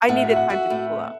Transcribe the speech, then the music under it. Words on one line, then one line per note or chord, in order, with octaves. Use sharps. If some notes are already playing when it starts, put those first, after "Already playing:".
I needed time to cool off.
A2 F#5
E5
F#4
F#5
F#4 E5
A2